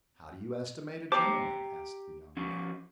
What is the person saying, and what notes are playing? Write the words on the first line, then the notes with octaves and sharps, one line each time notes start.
"How do you estimate a gentleman?" asked the young man.
G4 C5 G5 A5 A#5 D6
F3 C#4